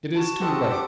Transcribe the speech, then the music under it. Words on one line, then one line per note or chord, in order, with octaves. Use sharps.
It is too late.
F#4 A5
C4 G4 A4 A#4 D#5 F#5
C5 D6